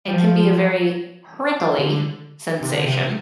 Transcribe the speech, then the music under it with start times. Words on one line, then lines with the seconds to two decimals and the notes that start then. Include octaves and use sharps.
it can be a very prickly sensation,
0.08 G3
0.14 F3
1.78 D3
2.61 C3
2.73 D3
2.85 C3